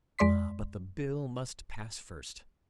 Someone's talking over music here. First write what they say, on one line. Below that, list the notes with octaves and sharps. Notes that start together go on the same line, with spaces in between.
Ah! but the Bill must pass first....
F2 G#3 D5 C6 B6